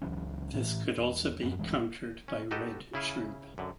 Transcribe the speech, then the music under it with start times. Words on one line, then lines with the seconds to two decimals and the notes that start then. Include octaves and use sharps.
This could also be countered by Red Shrimp.
0.02 C#2 E3 F#3 C#4
0.53 A2 E3
0.97 E1
1.43 F#2 C4 C#4
1.59 A#1 G2 E3 G#3
2.28 C#4
2.51 D#4 F#4 G4 A4 B4 D#5
2.94 C#3 E4 G#4 F5
3.58 F#2 D3